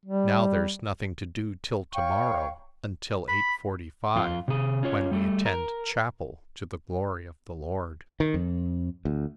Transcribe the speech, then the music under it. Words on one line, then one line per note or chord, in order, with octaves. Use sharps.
Now there's nothing to do till to-morrow until eight forty-five when we attend chapel to the glory of the Lord.
G3
C#5 F5 G5 C#6
B5
F2 F4
C3 G#4
C#4 F4 C#5
G3 A3
A#4
D#3
F2
D2